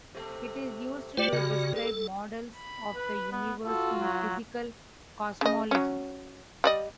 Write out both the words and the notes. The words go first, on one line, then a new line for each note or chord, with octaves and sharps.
It is used to describe models of the universe in physical cosmology.
C3 A3
A3 F4 G4 C5 D5
C#3 G3 G#3 F#4
A4
B5
B4
B3
F4 F#4 A4
F#3
C#3 D#5
F#3 C#4
G3 D5 D#5